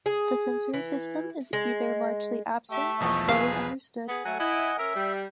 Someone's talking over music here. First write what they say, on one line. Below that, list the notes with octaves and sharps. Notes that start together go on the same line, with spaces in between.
The sensory system is either largely absent or poorly understood.
G#4
E3
G#3
A3 G4 E5
B1 E2 F3 D#5 C#6
G#4 B4 F5
B3 G#4
F#3 A3 F#5 G#5
E4 D#5 F#5 G#5
C#4 A#4 E5
G3